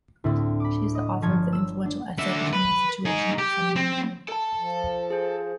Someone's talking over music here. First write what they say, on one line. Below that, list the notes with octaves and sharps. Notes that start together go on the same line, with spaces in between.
She is the author of the influential essay "The Human Situation: A Feminine View".
D2 A2 C4 E4 A4 C6
B5 D6
D#5 D#6
G1 F3 C#5 A5 F6 G#6
E6
D4
D3 E5
B4
D#4 G#4
G4
C4
A4 A5
F3
G#4 C5